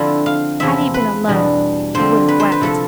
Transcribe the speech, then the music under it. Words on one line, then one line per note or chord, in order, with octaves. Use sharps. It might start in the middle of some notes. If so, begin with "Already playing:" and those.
Had he been alone, he would have wept.
Already playing: D3 F3 C4 E4 D5
F5
E2 C3 F3 C4 E4 E5
B4
E2 B2 G3 D4
D3 F3 C4 C5
B4
C5
B4
C3 F3 A3 E4 A4